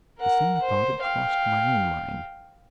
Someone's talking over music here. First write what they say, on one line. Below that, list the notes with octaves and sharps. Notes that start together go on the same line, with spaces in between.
The same thought had crossed my own mind.
A#4 F#5
C5
F5 G5